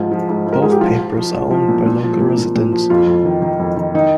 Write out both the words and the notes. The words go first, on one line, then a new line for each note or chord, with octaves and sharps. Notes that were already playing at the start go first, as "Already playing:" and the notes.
Both papers are owned by local residents.
Already playing: G#2 F3 F4
F3
G#2
G#2
A#4
G#2 G#4
G4
F3 F4
F3
F3
F3
F3
A#2
A#2
F3
A#2
A#2
A#2
F3
F2 F4
F2
D#3
D#3
F2
D#3
D#3 D#4